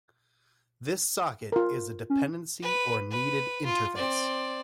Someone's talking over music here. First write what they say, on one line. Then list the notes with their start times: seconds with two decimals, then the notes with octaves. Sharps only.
This socket is a dependency or needed interface.
1.52 F4 A#4
2.10 C#4
2.62 B4
3.11 B4
3.65 F4
3.95 C4 D5